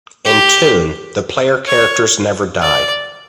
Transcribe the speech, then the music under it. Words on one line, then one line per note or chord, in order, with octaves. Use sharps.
In "Toon" the player characters never die.
G4
C#5
D5